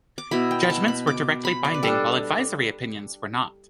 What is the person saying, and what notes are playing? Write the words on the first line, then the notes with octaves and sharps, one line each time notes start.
Judgments were directly binding while advisory opinions were not.
D6
B2 B3 E4 B5
G5
G5
A5
B5
D6
B5
D5
B4
G3 D4 A4